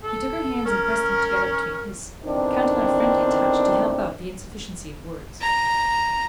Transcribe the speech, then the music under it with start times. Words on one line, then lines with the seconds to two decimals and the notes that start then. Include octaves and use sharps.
He took her hands and pressed them together between his, counting on a friendly touch to help out the insufficiency of words.
0.03 A4
0.65 C#4 A#4
2.24 E2 D3 D#3 C4 D4
5.41 A#5